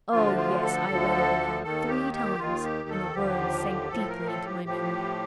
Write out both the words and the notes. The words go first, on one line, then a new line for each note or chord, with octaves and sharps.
"Oh yes, I read it over three times, and the words sank deeply into my memory."
D2 D3 F3 F4
F4
A4
D2 D3 F3
D#2 D#3 A4
G4
G4
D#2 D#3 F4
G4
A4
D#2 D3 F3 G4
A2 F3 A4
A#4
A4
G4
A2 F3 G4